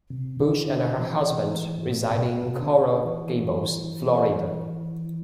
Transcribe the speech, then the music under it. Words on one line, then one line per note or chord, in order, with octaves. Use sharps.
Bush and her husband reside in Coral Gables, Florida.
C3
D3
D3
E3
A2
C3
B2
C3
D3
E3
E3